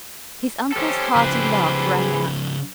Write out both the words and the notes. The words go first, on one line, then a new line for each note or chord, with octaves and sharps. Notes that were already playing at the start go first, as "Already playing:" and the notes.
His uncle's hearty laugh rang out.
C#4 G4 A4 C5
C#3 F3 G#4 B4